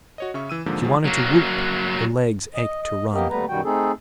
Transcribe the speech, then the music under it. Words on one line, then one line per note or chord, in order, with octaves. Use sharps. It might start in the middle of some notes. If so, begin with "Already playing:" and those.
She wanted to whoop, her legs ached to run.
F#4 C#5 D#5
C#3 C#4 E5 C#6
E3 E6 D#7
G#2 D3 F3 G#3 A#3
E2 D3 D#3 F3 F#3 G#3
F#3 A#3
D#5
D#5
A#3 B3 G4 A#4 D#5
D#2 G3 A3 B3 B4 A#5
F#2 B2 D#3 G3 F#4 G5
A3 C4 D#4 G#4 A4